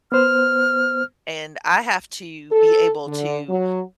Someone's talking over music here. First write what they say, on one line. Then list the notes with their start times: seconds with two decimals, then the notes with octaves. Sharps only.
And I have to be able to
0.12 B3 C5 F6
2.52 A4
3.07 D3
3.49 F#3